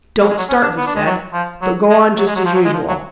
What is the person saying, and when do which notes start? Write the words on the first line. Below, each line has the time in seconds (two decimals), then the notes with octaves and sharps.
"Don't start," he said, "but go on just as usual."
0.21 F#3
0.29 G#3
0.38 F#3
0.49 C#4
0.63 D4
0.77 B3
0.87 D4
0.96 G#3
1.06 F#3
1.33 F3
1.62 F#3
1.90 G#3
2.17 F#3
2.27 G#3
2.35 F#3
2.45 F3
2.55 F#3
2.65 G#3
2.74 F3
2.88 F#3